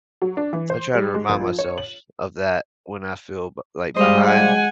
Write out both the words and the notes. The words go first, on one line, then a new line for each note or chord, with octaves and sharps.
I try to remind myself of that when I feel, b like, behind
F#3
D4
E3
C5
G3
G#3
A#1
F3
C#5
F#7
G3 G#3 C5 D#5 F5
F#5 G#5